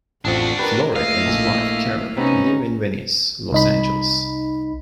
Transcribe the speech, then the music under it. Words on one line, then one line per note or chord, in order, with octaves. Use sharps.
Florek and his wife, Karen, live in Venice, Los Angeles.
A1 F2 F3 D4 F#4
G4 A#4 B4
A3 A#3 E4 D#5 F5
A#1
C3 B3 C#4 D#4
C2 D#4 B5